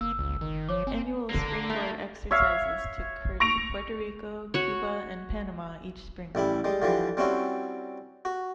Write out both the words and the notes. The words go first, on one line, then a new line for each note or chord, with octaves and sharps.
Annual "Springboard" exercises took her to Puerto Rico, Cuba, and Panama each spring.
G1 A#3 E6
C#2
D#3
F3 C#5 D6
C4 G#5
D3 A#3
A3
C#5 E5 F5
C#6 A#6 D7 F7
F#4 C#5
A1 G3 E4 B5
G3 G#3
D3 E3 F3 G3
G3 C4 C#4 E4 F#4
F#4